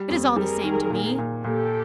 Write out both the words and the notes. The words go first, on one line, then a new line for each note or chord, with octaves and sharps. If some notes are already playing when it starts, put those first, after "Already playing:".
It is all the same to me.
Already playing: G3
F2
G3 G#4 A#4
D#3
A#2
A#2
A#2 G4 A4